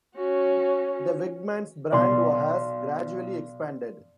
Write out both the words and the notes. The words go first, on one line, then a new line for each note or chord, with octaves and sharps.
The "Wegmans" brand has gradually expanded.
C#4 F#4
B1 D5 C6